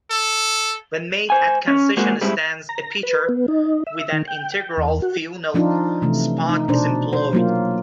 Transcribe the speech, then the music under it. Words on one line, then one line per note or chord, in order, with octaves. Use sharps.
When made at concession stands, a pitcher with an integral funnel spout is employed.
A4
C5 G#5
C#4
G#3 A#3 C4 F#4 G#4
A2 G3 G#3 C4 E4
A#5
B4
B3
D#4
E5
D#3
G5
G5
E2
F#4
F3 D4 D#4 F4
C3 E3 A3
D#4
B2 D4 C5
C5
F#3 A#3 F4